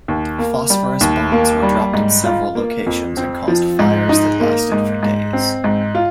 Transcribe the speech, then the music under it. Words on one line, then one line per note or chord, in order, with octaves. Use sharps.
Phosphorus bombs were dropped in several locations and caused fires that lasted for days.
D#2
A#3
G3
D#2
A#3
G3
G#2
F4
A#3
F2
C4
F3
G#2
D#4
A#3
G#2
G#2
C4
G#2
F4